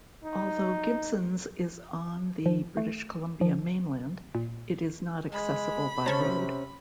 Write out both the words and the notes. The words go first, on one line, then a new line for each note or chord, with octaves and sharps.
Although Gibsons is on the British Columbia mainland, it is not accessible by road.
D#4
F3
A3
F3
A#2
G#3 B5
C3 C#4 C5 C#5 A5 A#5